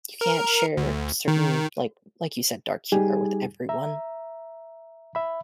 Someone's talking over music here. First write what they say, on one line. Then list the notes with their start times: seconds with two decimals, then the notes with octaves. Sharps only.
you can't share certain, like like you said, dark humor with everyone,
0.21 A#4
0.77 D2
1.28 D#3
2.92 G3 D#4 G4 G#4 G#5
3.69 E5 A#5
5.15 E5 B5